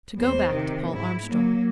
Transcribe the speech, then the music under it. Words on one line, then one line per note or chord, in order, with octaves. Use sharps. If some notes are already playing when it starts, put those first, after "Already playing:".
To go back to Paul Armstrong.
E2 C5
C3 D#3
G#2 E4
F#3 A#3